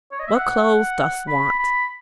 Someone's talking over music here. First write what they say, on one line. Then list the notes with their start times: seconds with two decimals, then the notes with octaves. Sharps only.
What clothes dost want?
0.12 C#5
0.20 D#5
0.27 E5
0.35 F#5
1.28 B5
1.59 B5